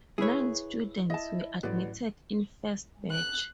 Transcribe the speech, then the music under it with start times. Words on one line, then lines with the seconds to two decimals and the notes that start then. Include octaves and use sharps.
Nine students were admitted in first batch.
0.18 E4 G#4 B4 C#5
1.10 E4 D#5 A5
1.63 A1 F#3 B4 D5
3.10 F#6